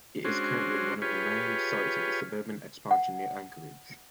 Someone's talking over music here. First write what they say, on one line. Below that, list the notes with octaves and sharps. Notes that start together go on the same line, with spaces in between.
It is currently one of the main sites of suburban expansion near Anchorage.
G#3 C#4 D4 F#4 C5
F4 G4 G#4 B4 C#5
F#5